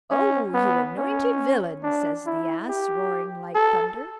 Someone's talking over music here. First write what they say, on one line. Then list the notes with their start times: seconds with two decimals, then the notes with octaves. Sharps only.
"Oh, you anointed villain!" says the ass, roaring like thunder.
0.11 C#4
0.54 B3
0.97 C#4
1.83 D4
2.26 E4
2.68 G4
3.55 A4